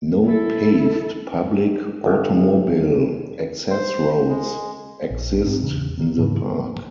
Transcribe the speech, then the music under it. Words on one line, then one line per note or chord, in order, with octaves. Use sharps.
No paved public automobile access roads exist in the park.
E4 A4
G1
C5
G#3
A#1
A#1 G#2 C4 D4
E2 A#2 C#3
D#3 B3
G#2 C#3 F3 F#3
B3